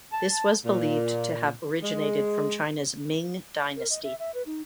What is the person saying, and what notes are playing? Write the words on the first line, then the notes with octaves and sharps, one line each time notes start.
This was believed to have originated from China's Ming dynasty.
A5
A#2
G#3
A#4
D#5
E5
E5
B4
D#4